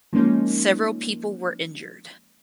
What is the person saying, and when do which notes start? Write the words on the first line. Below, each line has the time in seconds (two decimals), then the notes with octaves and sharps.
Several people were injured.
0.13 F3 G#3 A#3 C#4 D#4